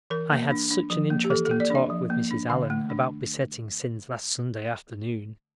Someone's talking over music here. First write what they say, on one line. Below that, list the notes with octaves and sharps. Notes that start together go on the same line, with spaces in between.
I had such an interesting talk with Mrs. Allan about besetting sins last Sunday afternoon.
E3 A#4
A#3
D4
D4
F3
A#3
G4
E3 A4
A4
A#3
D5
D4 E5
F3
A#3
D4
D3 F5
A3
D4